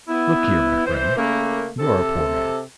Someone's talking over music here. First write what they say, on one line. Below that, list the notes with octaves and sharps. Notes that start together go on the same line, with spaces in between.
'Look here, my friend, you are a poor man.
B3 E4
E3 C5
C#3 A3 A#3
C3 A4